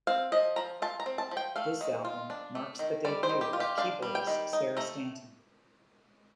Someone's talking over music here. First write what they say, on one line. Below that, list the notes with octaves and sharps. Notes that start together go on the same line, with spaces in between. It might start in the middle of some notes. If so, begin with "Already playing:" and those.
This album marks the debut of keyboardist Sarah Stanton.
C4 F5
F3 D#5
F3 A#5
F4 A5
A#5
C4
A5
F3
G5
A3 F5
D#3
F4
D4
A3
D#3
G3 D5
C5
D#3
G4
F4
G4
D4 F5
G3
G5
D#3
D#4
A3 A#5